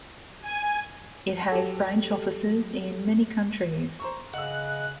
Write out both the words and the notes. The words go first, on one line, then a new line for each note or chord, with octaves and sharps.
It has branch offices in many countries.
G#5
F#3 G4 A4
C5 A#5 C#6
C#3 D#5 F#5 E6 F#6